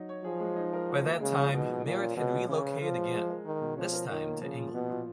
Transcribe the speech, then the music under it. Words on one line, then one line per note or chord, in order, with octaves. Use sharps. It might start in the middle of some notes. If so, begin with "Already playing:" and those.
By that time, Merritt had relocated again - this time to England.
Already playing: F#3 D#4
C#5
F3 G#4
G#3
D#4
A#4
F#4
A#3
C#3 G#3
F3
B2 D#4
F3
A#2 F3
C#4
B2 G#3
A#2
C#3 C#4
B4
F3 F4
G#3
G#3
A#4
D#3 D#4
B2
F3 C#4
A#4
D#3 F4
A#3
C#3 F3
A#2
B2 B3
A#2